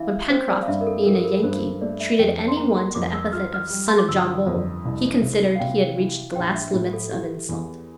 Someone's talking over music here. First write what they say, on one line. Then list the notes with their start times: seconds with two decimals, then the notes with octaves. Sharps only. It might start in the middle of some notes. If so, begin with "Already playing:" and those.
When Pencroft, being a Yankee, treated any one to the epithet of "son of John Bull," he considered he had reached the last limits of insult.
Already playing: E3 E5 F5
0.30 C4 C5
0.49 D5
0.62 F5
0.68 G2 E5
0.81 A#4
0.87 A4
1.05 F3 A#4
1.15 A4
1.25 A#4
1.43 G2 C5
1.81 A3 D5
2.00 E5
2.19 F2 G5
2.39 A5
2.48 C6
2.57 A#3 A#5
2.76 C6
2.95 F2 D6
3.14 E6
3.33 F4 F6
3.54 F6
3.70 G3
3.88 C6
3.98 D6
4.08 G1 E6
4.47 F2
4.85 C2
5.22 C3
5.55 F5
5.60 C3 G5
5.98 E3
6.36 A#1 G5
6.55 E5
6.74 A2
6.93 A4
7.11 E3 G4
7.49 E2